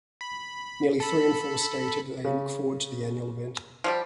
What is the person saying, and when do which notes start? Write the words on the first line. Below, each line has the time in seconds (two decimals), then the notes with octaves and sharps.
Nearly three in four stated they look forward to the annual event.
0.21 B5
1.00 A4 B5
2.24 C#3
3.84 F3 G3 G4